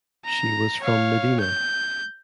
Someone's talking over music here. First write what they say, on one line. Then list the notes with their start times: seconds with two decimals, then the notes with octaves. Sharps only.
She was from Medina.
0.24 A#5
0.81 C#5 F5
1.40 G6